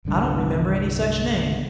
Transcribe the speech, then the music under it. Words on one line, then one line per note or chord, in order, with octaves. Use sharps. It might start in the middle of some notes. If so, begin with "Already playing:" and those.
'I don't remember any such name!'
G1 C2 D3 G3